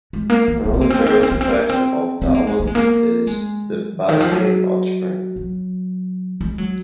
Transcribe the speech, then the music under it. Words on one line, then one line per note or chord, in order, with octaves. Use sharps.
Another tourist attraction of Dauin is the Baslay Hot Spring.
G#3
A#3
A#3
A#3
C4
A#3
C4
A#3
C4
A#3
C4
A#3
C4
A#3
C4
C4
A#3
G#3
A#3
G#3
A#3
G#3
C#3
D#3
F3
F#3
F#3
G#3
F#3